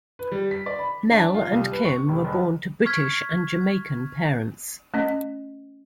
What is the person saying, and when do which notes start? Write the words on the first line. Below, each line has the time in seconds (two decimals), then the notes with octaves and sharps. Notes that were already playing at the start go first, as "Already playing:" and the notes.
Mel and Kim were born to British and Jamaican parents.
0.19 B4
0.31 G3
0.51 B6
0.66 D5
0.79 B5
1.11 D4
1.34 F4
1.52 C2
1.72 B4
1.85 C#6
2.09 F1
2.24 F#1
2.85 C#6 F6 G#6 B6
4.94 A3 C#4 D#5